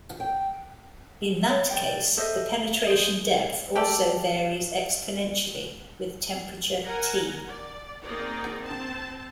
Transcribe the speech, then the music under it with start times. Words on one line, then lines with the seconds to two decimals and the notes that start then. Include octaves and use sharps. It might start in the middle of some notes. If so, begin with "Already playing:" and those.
In that case, the penetration depth also varies exponentially with temperature "T".
0.20 G5
1.49 C#5
1.70 D5 G5
2.17 A4 C5 D#5 E5
2.86 G#4 C5
3.76 G4 A4 D5
6.83 A#4 F#5 G#5 A#5
7.48 D5
8.03 A#3 C4 D#4 G#4 D5
8.59 C4 A5